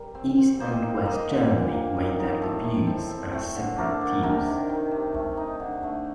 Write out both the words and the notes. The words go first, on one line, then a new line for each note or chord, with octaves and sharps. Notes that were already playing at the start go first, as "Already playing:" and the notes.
East and West Germany made their debuts as separate teams.
Already playing: G3 A#4
C4
C4
A#3 C5 D#5
D#4
A#3 C5 D#5
D3
A#2
A#3
D#4
D#4
A2 A4 C5
A2
C4
C4
A3 A4 C5
D3
A3 A#4 D5
D3
C3 A#4 D5
D#3
D#3
C3
A3
D#4
D3
A3